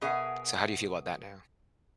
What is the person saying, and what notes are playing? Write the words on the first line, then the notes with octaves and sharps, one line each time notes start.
So how do you feel about that now?
B2 G#4 A#4 E5 F#5 G#5